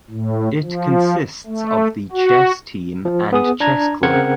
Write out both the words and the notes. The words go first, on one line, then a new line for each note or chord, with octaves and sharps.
It consists of the Chess Team and Chess Club.
A2
F3
A3
F#4
F3
B3 G#4 D#6
D4 A#5 G#6
C#3 C4 A#4 F#5 G#6 C#7